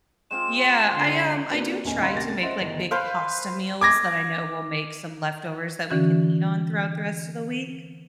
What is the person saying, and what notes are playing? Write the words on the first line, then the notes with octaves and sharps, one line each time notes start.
Yeah I, um, I do try to make, like, big pasta meals that I know will make some leftovers that we can eat on throughout the rest of the week.
G#3 C4 F4 E7
D3 C6
A#3 C4 D4 F#4 B4
D#1 A#1 F2 D#3 C#4 G#5
C#2 D#4 F5 B5 C6
C2 F#2 A#3 G4 A6 A#6
C#4 C5 D#5 E5 F#5 C6
G1 D#3 E3
B4 C5 F5
D6 G#6 A#6
D3 E3 C#4 F#4